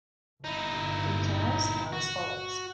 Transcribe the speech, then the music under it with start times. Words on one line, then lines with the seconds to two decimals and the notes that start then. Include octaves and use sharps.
Details are as follows.
0.44 G1 A#2 D#4 E4
1.92 F#4